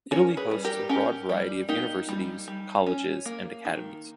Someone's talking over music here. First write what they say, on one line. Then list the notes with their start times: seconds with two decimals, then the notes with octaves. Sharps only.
Italy hosts a broad variety of universities, colleges and academies.
0.11 C#4 A#4 C#5
0.37 G#4 B4
0.51 G3
0.64 G4 A#4
0.89 C#4 G4 A#4
1.29 G3
1.69 A#3 D#4 G4
2.09 G3
2.48 G3
2.86 C#4
3.26 A#3
3.65 D#3